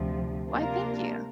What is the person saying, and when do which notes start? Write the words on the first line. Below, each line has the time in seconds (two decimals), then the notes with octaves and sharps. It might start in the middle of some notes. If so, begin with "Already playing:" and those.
Why, thank you.
Already playing: D2 C3 F3
0.49 C3 A#3 D4 F4 A#4